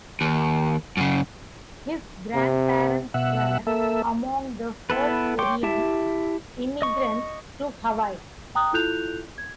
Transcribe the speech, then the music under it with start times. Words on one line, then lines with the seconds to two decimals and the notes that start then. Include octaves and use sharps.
His grandparents were among the first Korean immigrants to Hawaii.
0.21 D#2
0.97 F#2 C#3
2.35 C3
3.14 B2 E5 F#5
3.67 A#3 A4 E5
4.90 B3 E4 A4 B4
5.39 C#5 G5 C6 D6
5.63 E4 G4 E5 A5
6.82 D#5 C#6
8.55 G5 A#5 D#6 F#6
8.73 E4 F4 A4 F#6 G6 F7
9.38 G#6